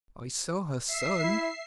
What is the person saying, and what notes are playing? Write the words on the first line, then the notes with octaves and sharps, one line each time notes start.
"I saw her son."
E5 C7
E4